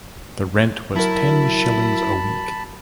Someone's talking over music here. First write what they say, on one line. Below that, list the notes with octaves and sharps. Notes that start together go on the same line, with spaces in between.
The rent was ten shillings a week.
F#3 E4 F#4 A#4 A5 B5